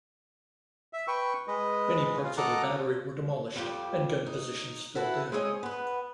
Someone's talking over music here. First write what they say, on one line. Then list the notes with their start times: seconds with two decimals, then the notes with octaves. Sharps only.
Many parts of the battery were demolished and gun positions filled in.
0.93 E5
1.08 B4 G5 C#6
1.47 G#3 B4 D#5
2.23 F4
2.38 A4 D#5 F#5 A#5 D6 F#6
3.56 F2 F3 G3 G4
4.26 D#4
4.95 E4 F#4 A4 B4
5.32 G#3 C4 G#4 C#5 D#5
5.63 B3 B4